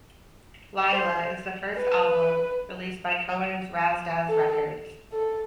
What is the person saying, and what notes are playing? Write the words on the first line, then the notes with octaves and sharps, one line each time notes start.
"Lyla" is the first album released by Cohen's Razdaz Recordz.
C5
B4
A4
A4